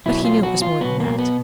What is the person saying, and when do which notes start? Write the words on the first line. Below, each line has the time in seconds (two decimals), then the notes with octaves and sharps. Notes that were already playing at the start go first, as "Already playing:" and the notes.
But he knew it was more than that.
0.06 B2 F#3 E4
0.25 F4
0.43 F#4
0.62 F4
0.80 B2 F#3 B3
1.00 A#3
1.19 B3